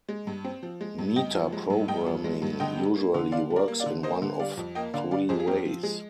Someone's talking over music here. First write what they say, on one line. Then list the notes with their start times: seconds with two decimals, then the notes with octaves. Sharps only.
Metaprogramming usually works in one of three ways.
0.09 G#3
0.27 G2
0.44 C4
0.63 F3
0.81 G#3
0.98 G2
1.16 G2 D#5 G5
1.35 F3
1.52 G#3
1.70 G2
1.88 G2 D#5 G5
2.06 F3
2.24 G#3
2.42 G2
2.60 D3 D#5 G5
2.78 G3
2.96 A#3
3.14 D3
3.32 D3 D5 F5
3.50 G3
3.56 A#4 D5
3.68 A#3
3.80 D5 F5
3.86 D3
4.03 A#3 C5 D#5
4.22 D3
4.40 G3 D5 F5
4.57 F2
4.75 A#3 D#5 G5
4.94 D3 D5 F5
5.11 G3 D5 F5
5.29 F2 G#4 C5
5.40 G#4
5.47 C4 G4 A#4
5.65 F3
5.83 G#3 G#4